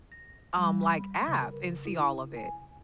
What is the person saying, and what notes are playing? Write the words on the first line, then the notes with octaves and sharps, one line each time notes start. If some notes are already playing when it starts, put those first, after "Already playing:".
um, like, app and see all of it?
A#6
G3
B5
C#3
A#4
E4
G#5